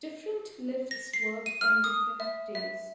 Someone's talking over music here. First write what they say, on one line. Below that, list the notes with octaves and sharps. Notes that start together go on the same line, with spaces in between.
Different lifts work on different days.
A#6
C7
D#7
F6
D#6
E5
E5